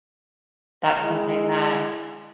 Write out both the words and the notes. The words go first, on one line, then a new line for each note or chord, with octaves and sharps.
That's something that,
G#3 E4